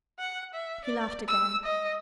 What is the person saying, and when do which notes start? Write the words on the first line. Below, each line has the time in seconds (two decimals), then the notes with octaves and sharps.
He laughed again.
0.19 F#5
0.54 E5
0.85 D5
1.28 E6
1.64 D#5